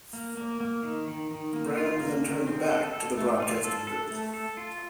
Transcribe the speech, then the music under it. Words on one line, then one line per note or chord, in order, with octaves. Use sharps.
Brown then turned back to the broadcasting booth.
A#3
A#3
A#3
D#3
D#3
D#3
A#3
F4
A#3
D#3
C4
A4
A4
A3
F4
A4
A4
A3
A4
F4